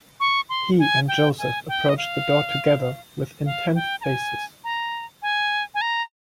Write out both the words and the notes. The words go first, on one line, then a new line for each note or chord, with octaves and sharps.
He and Joseph approached the door together, with intent faces.
C#6
C6
G#5
G5
G#5
G5
D#5
F5
F5
G5
A#5
G#5
A#5
G#5
G#5
A#5